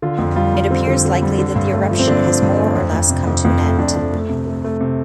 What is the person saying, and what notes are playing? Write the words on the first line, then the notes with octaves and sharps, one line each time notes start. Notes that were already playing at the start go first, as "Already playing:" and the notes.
It appears likely that the eruption has more or less come to an end.
D3 F4
F2
G3 F4
G3
D3 C4
D3
D3
G3
D3
G2
A3
F3
C4
D3 D4
F3
G2
A3
F2
F2
C3
F2
F2
A3
F2 D4
F2
A3
C3
A3
A3
C3